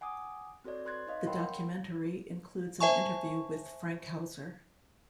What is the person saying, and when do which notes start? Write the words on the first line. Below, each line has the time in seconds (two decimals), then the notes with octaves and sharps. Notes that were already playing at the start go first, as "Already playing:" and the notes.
The documentary includes an interview with Frankhauser.
0.01 F#5 G#5 D6 D#6
0.64 C4 F#4 A4 C#5 D5
0.85 B4 C6 F#6 G#6 A6
1.07 D#4 C#5 D#5 F5
1.27 A#4 C#5 F#5 G5 B5 C6
2.80 C5 E5 G#5 A5 C#6